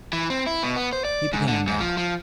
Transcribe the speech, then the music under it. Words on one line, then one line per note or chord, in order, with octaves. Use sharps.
He began now.
E3
C4
E4
B2
B3
C5
D5
G#2
D3
G#2
F3
F3